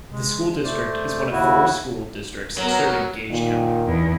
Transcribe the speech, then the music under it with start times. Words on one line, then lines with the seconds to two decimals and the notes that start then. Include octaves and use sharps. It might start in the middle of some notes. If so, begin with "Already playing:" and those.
The school district is one of four school districts serving Gage County.
0.11 G#3
0.64 A3 C5 D5
1.32 D#2 C#3 E4 F#4
2.58 F#3 B3 A#4
3.31 A#2 D#3
3.87 E2